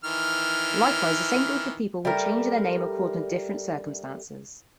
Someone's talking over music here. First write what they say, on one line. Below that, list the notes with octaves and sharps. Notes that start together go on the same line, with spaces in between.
Likewise the same group of people would change their name according to different circumstances.
D#3 E3 F6
G3 A3 G4 A#4